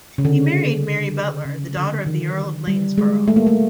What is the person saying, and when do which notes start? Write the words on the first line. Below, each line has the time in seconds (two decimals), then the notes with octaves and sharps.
He married Mary Butler, the daughter of the Earl of Lanesborough.
0.18 C#3
0.25 D3
1.45 C#3
1.76 D3
2.06 D#3
2.67 G3
2.98 G#3
3.28 A3
3.36 A#3
3.47 A3